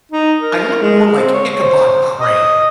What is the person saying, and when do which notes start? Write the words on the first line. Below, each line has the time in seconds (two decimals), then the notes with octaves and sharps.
I looked more like Ichabod Crane
0.12 D#4
0.40 A#4
0.82 G#3
1.16 C4
1.33 C#5
1.62 C5
2.20 D#5